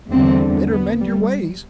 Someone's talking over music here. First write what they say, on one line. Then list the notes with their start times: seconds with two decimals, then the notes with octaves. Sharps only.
Better mend your ways.
0.10 E2 D3 G3 C4
0.70 B3
1.01 G3